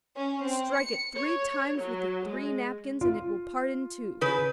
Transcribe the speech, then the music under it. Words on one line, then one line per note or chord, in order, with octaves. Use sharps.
Strike it three times with the three napkins and it will part in two.
C#4
C4
C#7
C#5
F#3
G#3
F4
C#3 B4